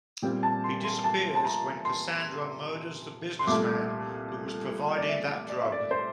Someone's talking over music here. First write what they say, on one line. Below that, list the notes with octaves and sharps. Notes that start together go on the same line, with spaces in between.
He disappears when Cassandra murders the businessman who was providing that drug.
A#2 G3 C4 G5
A5
C6
C6
A5
A5
A#5
C6
C6
C2 A#2 A3 D6
D5
E5
D5
E5
D5
C5